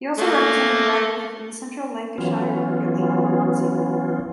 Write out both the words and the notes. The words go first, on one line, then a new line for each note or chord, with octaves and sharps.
He also represented Radcliffe in the Central Lancashire Cricket League for one season.
A3 A#3
E3 F#3 B3 C#4 F4